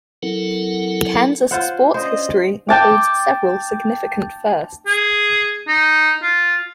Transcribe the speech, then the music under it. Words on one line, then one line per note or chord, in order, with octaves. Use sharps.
Kansas sports history includes several significant firsts.
F#3 C4 E4 A4 A#4 F#5
F4 C5 F#5
C#4 D4 C5 D#5
G5 A5 D6
G#4
D#4
F4